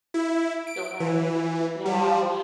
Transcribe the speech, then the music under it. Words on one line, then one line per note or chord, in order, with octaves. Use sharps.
The right. Now,
E4
D7
E3
G3